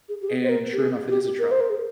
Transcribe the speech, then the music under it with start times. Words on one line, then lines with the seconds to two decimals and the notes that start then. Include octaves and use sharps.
and sure enough, it is a trail.
0.09 G#4
0.21 G4
0.28 G#4
0.43 C5
0.49 A#4
0.73 G4
0.79 G#4
1.09 G4
1.39 A#4
1.51 C5
1.60 A#4
1.70 G#4